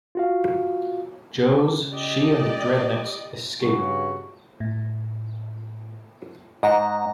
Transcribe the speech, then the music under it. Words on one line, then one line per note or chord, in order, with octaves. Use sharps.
Joes, she and the Dreadnoks escape.
F4 F#4 F5
C#3
G4 D5 D#5
G2 C#3 F#4
A2
G#2 D#5 F#5 A#5